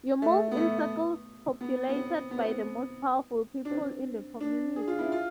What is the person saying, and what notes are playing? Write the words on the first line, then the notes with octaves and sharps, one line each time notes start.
You move in circles populated by the most powerful people in the community.
A3
B3
A3
B3
B3
C4
B3
C4
B3
D4
C4
D4
G#4
F4
E4
F4